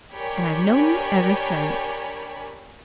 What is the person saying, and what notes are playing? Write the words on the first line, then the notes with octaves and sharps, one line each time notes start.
"And I've known you ever since."
D4 G4 A#4 C#5 G#5 B5